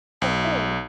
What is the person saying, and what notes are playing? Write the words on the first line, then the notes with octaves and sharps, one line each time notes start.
Oh, good.
B1